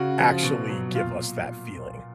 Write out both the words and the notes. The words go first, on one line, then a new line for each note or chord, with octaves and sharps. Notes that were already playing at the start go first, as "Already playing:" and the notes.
actually give us that feeling.
Already playing: C#3 F#4
F3
B2
F#3
A#2 F4